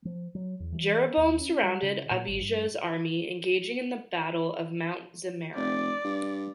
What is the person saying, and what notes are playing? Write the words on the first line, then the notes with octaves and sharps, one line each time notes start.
Jeroboam surrounded Abijah's army, engaging in the battle of Mount Zemaraim.
F3
F#3
E2
E3
D#2
C#4
G3
C#3
A#2
G#1
G2
F1 D5
G2